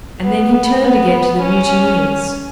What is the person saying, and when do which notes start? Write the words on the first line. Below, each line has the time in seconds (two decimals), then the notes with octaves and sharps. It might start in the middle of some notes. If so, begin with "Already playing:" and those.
And then he turned again to the mutineers.
0.24 B3
0.82 B3
1.42 C#4